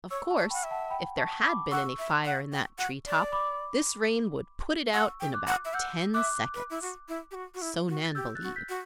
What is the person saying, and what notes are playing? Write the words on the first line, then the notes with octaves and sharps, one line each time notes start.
Of course, if there had been any fire in that tree-top, this rain would put it out in about ten seconds. So Nan believed.
C#5 C#6 E6
A5 C#6
D5
F#5 G5 B5
E5
F#5 A5
G5 B5
A5 C#6
B5 D6
F#5 C#6 E6
E5
F#5
G5
F#5
D5
B5 D6
F#5 C#6 E6
G5
D6 F#6
F#5
E5
F#5 E6 G6
E5 D6 F#6
B4
E4
F#4
E4
G4
F#4
F#4
E4
F#4
A6
G4 E6 G6
F#6 A6
F#4
G6 B6
F#4